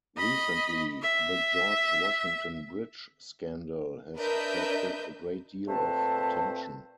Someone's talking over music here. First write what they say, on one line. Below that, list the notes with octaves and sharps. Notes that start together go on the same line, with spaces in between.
Recently, the George Washington Bridge scandal has attracted a great deal of attention.
D#5 B5
E5
D4 A#4 B4 D#5 E5 G6
A#2 A3 C4 B4 C5 A5